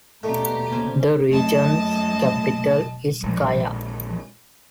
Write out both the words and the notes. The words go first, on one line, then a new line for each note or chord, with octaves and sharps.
The region's capital is Kaya.
B2 G3 A3 D#4 G4 A#5
C#4 C5 D5
F#2 A3 D#5 A5
A#1 G#3